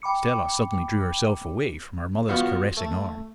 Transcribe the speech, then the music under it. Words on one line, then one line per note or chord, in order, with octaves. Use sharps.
Stella suddenly drew herself away from her mother's caressing arm.
G5 B5 D6 C#7
F3 B3 F4 F#4
A3